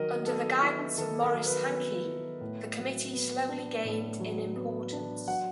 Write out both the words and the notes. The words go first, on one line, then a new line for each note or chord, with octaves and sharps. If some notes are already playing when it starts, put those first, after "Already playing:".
Under the guidance of Maurice Hankey, the Committee slowly gained in importance.
Already playing: D#3 F#3 A#4 D#5
B3 A4
E4
D#3 A4
A#4
F#3
B4
B3
E4
A2
F#3
B3
D4
A2
F#3
B3
D4
F#3 F#5